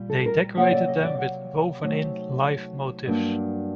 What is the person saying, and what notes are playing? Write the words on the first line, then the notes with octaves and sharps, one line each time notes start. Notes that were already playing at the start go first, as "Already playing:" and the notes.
They decorated them with woven-in life motifs.
Already playing: A#2 G3
A4
A#4
C3 F#3 A#3 F#5
D5
D#5
D5
F#5
C3 F#3 A3 D#4
G2 F#3 A#3 D4